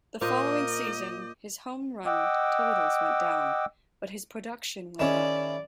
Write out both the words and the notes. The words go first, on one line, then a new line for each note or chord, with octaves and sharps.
The following season, his home run totals went down, but his production went up.
A#2 A#4 C5 D#5 F5 D6 G6
D#5 F#5 G5 D6 E6
D#3 C#4 E4 G#4 D5 E7